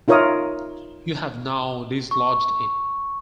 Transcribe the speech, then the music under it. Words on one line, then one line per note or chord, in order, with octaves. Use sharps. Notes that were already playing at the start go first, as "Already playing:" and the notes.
You have now dislodged it.
D#4 F4 A#4 C#5 E5 D#6
C#6